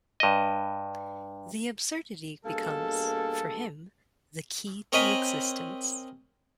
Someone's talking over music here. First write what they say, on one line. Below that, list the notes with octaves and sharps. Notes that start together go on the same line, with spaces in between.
The absurdity becomes, for him, the key to existence.
G2 D#5
G2 B2 A#3 G#4 A4
C4 A#4 C#5 D#5 G#5 B5